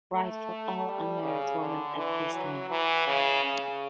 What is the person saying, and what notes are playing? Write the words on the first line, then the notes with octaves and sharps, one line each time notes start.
Right for all unmarried women at his time.
A3
G3
C#3
D3
E3
F#3
E3
C#3
C#3